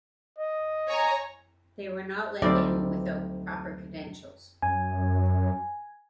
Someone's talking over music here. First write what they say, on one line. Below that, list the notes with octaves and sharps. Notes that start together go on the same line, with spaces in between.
They were not let in without proper credentials.
D#5
C#5 G#5 A#5
D2 F#3 G3 C4 D#4 D5
F#2 G#5